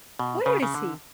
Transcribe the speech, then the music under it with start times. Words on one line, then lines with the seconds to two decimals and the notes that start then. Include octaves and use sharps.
Where is he?
0.19 B2
0.46 C#3
0.63 C#3
0.74 D3